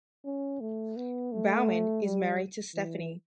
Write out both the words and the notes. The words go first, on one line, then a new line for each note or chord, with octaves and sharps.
Baumann is married to Stefanie.
C#4
A3
B3
A3
G3
E3